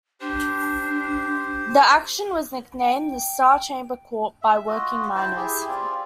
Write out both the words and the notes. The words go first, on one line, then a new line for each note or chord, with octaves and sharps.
The action was nicknamed the "star chamber court" by working miners.
D4 G4 C5
G5
E5
F4 F#4 D#5
E4 C5 G5 A5
E4 G4 G#4
C4 F4 D5